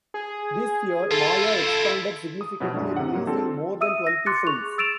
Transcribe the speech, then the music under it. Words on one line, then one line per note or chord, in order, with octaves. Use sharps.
This year, Maya expanded significantly releasing more than twenty films.
G#4
E4 F4 A4
D#6
B2 F3 F#3 B3 E4
F#2 A2 G#3 D4
C3 F#5
G#2 F#3 A#3
D3 C4 F4 A4
E5 D#6 E6 D#7
A#6
C6 D6 F#6 A6 C#7
G#4 C#6 F7
E6 A6 D7 E7 F7